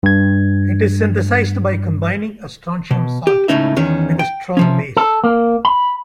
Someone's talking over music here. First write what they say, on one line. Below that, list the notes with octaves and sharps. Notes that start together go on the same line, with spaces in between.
It is synthesized by combining a strontium salt with a strong base.
G2 G#6
B2
G4
C#2 A2 C3 C#4 D#4 E5
E2 D#3 C#4
G5
C3 F3 C#4
A4
A#3
B5